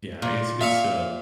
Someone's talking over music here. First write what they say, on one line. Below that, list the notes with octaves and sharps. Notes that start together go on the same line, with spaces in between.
Yeah, it's it's, uh
A#2
A#2 E5 F5 C#6